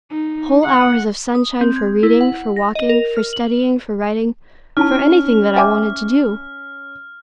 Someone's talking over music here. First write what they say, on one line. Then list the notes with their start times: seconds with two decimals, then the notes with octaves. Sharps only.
Whole hours of sunshine for reading, for walking, for studying, for writing, for anything that I wanted to do!
0.10 D#4
0.62 F#5
1.35 D#6
1.61 C4
1.76 G#6
2.03 E4
2.21 F#5
2.56 A#6
2.75 D#5
2.89 A#4
3.17 F6
3.33 F#7
4.77 C#4 D#4 E4 A5 F6
5.56 C5 E5 G5 G#5 D6